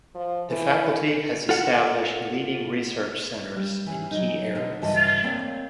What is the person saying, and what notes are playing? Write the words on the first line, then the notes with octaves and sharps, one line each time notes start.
The Faculty has established leading research centres in key areas.
F3
E3
F4 A4 F#5
G3
E3 C#4
F#3 D#4
B2 D3 D#4
G2 C#3 E3 F#4 D#5 A5
A#3 C4 C#5 D5 F5